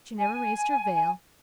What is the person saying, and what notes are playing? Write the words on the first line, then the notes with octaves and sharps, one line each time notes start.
She never raised her veil.
G#5